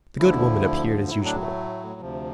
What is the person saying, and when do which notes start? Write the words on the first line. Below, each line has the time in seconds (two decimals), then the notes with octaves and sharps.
The good woman appeared as usual.
0.19 D2 D3 F3 E4
1.10 A2 F#3 E4
1.25 D4
1.41 A3
2.00 D2 C3 F3